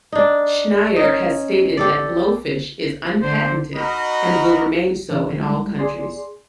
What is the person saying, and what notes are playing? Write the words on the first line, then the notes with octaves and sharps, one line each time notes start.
Schneier has stated that, Blowfish is unpatented, and will remain so in all countries.
D4 D#4
C#4 D#4
G4 A4 D5
D3 C5
D#4 F#4 A#4 D#5 B5
A#2 E3 D4 D#4
G3 G#3 E4
G#4 D5 C6